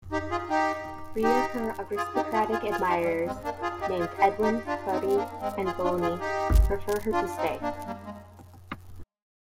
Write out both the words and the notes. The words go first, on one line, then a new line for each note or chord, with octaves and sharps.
Three of her aristocratic admirers, named Edwin, Feri and Boni, prefer her to stay.
D#4 G4
F4 G#4
D#4 G4
D#4 G4
F4 G#4
D#4 G4
F4 G#4
F4 G#4
F4 G#4
D#4 G4
G3
G#3
G#3 C4
A#3 D4
F4 G#4
D#4 G4
F4 G#4
D#4 G4
D#4 G4
D4 F4
C4 D#4
C4
A#3 D4
G#3 C4
F4 G#4
D4 F4
F4 G#4
D#4 G4
D4 F4
C4 D#4
A#3 D4
G3 A#3
G#3